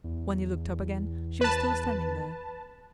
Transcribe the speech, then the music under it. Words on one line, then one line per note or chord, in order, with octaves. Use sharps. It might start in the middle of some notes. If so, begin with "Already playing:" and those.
When he looked up again she was still standing there.
E2
B4 A5